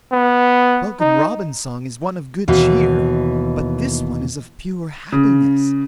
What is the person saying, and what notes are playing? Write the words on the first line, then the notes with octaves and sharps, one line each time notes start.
Welcome Robin's song is one of good cheer, but this one is of pure happiness.
B3
D#4
D#2 B2 E3
C#3